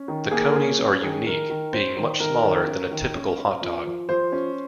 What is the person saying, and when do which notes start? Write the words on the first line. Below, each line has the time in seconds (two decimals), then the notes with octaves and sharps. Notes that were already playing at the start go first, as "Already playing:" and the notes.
The coneys are unique, being much smaller than a typical hot dog.
Already playing: C#4
0.08 D#3
0.31 A#3 G#4
0.45 A#4
0.55 C#4 G#4
0.79 C#4
1.02 D#3 G#4
1.27 D#3 A#4
1.50 D#3
1.73 C#4 C5
1.97 D#3
2.20 D#3 A#4
2.43 D#3
2.67 C#4
2.91 D#3
3.15 C#4
3.39 C#4
3.61 F3
3.85 F3
4.09 F3 C5
4.32 C#4